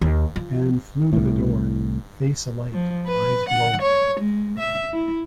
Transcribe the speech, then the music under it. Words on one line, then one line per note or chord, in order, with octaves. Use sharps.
Ann flew to the door, face alight, eyes glowing.
D#2
F3
C2 A2
F3
B4
F#5
C#5
G#3
E5
E4